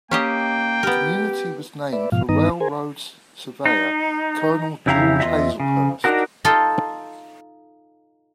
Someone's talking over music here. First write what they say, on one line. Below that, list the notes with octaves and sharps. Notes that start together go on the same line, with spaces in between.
The community was named for railroad surveyor Colonel George Hazlehurst.
A#3 C#4 G4 D#5 G5
B3 G4 A#4
B4 D5 E5
G#2 B2 F3 F5 F6
G2 D#3 B3 D#4 A#5 D#6
G#4 A#4 C5 G#5
D#4
F2 C#3 E4 G4 F5 A#5
E2 F4 D#5 E5
C#3
D4 D#4 F#4 A#4
D#4 F4 A4 G5